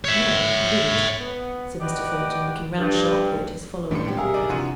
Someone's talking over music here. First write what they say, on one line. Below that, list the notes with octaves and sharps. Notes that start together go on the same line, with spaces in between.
'No, I didn't,' said Mr. Thornton, looking round sharply at his follower.
C#5 E5
B3
F#4 G4 B4 D5 D#5
G2
A2 D3 G3 C#4 D4 C#7
A#2 F#3 G#3 C4 G4
G#4 A#4 E5 F5
G1 B2 D3 D#3 D5
C3 E3 D4 F4 F#4 D#7